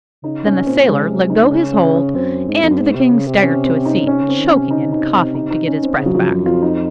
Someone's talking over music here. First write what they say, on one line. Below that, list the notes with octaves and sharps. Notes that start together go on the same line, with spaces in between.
Then the sailor let go his hold and the King staggered to a seat, choking and coughing to get his breath back.
C#3 D#4
C3 C#4
A#2 C4
C3 G#3
D#4
C#3 C#4
C#4
C#3
C#4
F#2 C4
G#2
F2
F#2
G#2
C3
C#3
C3
C#4
C4
D#4
C#3
C3 C#4
C#3
C4
D#3
C#4
C3
D#4
D#4
C4
D#4
D#4
C#4
C4
C#3
F#3
C#3 F3
F#2 F#3
F2 F4
D#4